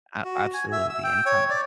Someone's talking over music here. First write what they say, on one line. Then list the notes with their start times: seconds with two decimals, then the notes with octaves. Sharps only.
A absolutely, anytime.
0.25 F#4
0.54 G#5
0.72 E5
0.90 E6
1.04 G5
1.26 C#5
1.50 D5